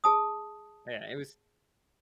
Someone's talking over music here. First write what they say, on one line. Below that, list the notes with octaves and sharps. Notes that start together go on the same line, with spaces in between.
Yeah, it was
G#4 A5 D#6